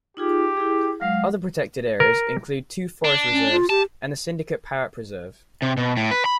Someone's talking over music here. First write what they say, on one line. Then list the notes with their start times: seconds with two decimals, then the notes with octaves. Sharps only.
Other protected areas include two Forest Reserves and the Syndicate Parrot Preserve.
0.17 D#4 F4 G4 G#4
0.57 E4 G#4
1.01 F#3 G#3 F5
2.00 A#4
3.04 D4
3.32 C#4
3.51 F4
3.70 G4 A5
5.62 C3
5.77 B2
5.97 A2
6.11 B4
6.25 B5